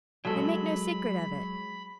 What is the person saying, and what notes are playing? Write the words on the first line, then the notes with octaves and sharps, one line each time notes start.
They make no secret of it.
F#3 G#3 G#4 A4 B5